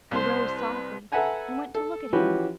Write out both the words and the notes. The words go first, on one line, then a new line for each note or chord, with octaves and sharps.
I rose softly, and went to look at him.
C2 C5 C6
B4
A4 B4 E5 F#5 G#5 A#5
A4
E3 F3 C#4 F#4 G4 B4